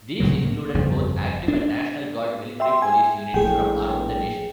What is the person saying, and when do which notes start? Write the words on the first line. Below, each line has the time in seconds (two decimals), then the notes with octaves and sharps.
These included both active and National Guard Military Police units from around the nation.
0.20 C2 A2 C#3 F#3
0.44 A#3
0.74 G1 F2 C#3 F3
1.48 D4
2.60 E5 G5 C6
2.82 G#5
3.34 A#1 A2 G#4 G5